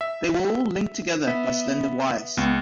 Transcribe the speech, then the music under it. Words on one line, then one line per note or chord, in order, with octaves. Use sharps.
They were all linked together by slender wires.
E5
B3 E5
C#2 B3